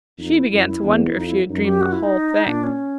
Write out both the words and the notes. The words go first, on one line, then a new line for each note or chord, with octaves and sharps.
She began to wonder if she had dreamed the whole thing.
F2 D#4
E4
F#2 E4
E4
E2 D4
E4
F2 D#4
E4
F#2 D#4
G4
F#4
E4
D#4
A#2 D4
C#4